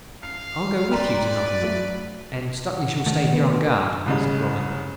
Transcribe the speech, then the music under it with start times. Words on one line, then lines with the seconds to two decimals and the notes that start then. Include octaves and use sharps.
"I'll go with you to Nottingham--and Stuteley shall stay here, on guard," said Robin.
0.23 F5 C7
0.91 B4 D5 G5 A#5 C6
1.61 F#3 A3
2.77 F#5
3.06 D#3 A3 F#5
3.32 B3
4.06 C2 C#3 G#3